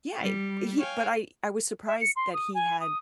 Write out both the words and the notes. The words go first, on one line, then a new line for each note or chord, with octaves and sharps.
Yeah, i he but I I was surprised that he had
G3
C#5 F5 G5 G#5
E5
C#7
C6
D#6
G#5
D#6